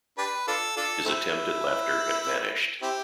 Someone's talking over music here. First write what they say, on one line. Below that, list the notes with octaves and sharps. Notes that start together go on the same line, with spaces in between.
His attempt at laughter had vanished.
D4 G4 B4
D4 F4 A4
D4 F4 A4
A3 C4 E4
C4 E4 G4